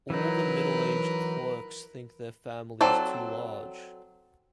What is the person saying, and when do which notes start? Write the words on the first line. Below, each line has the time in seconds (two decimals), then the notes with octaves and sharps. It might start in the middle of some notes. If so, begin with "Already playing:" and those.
All the middle-aged clerks think their families too large..
0.10 E3 F#3 D#4 A#4 B4
2.81 F#3 C4 A4 D5